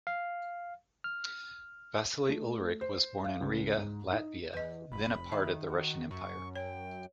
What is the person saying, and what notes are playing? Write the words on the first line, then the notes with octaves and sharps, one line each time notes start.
Vasili Ulrikh was born in Riga, Latvia, then a part of the Russian Empire.
F5
F6
A3
C5
F5
C#2
G#2
D#4
E2 B4 D#5
F1 B5
D#3 E5
F#4
F#2 C#6
C#5 G5